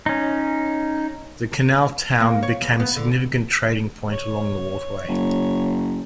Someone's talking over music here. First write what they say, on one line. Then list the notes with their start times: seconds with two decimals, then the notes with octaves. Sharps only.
The canal town became a significant trading point along the waterway.
0.06 C#4 D#4
2.20 A#3
2.43 C#5
2.61 E2
2.80 B3
2.96 D3
4.12 C#5
5.08 F#1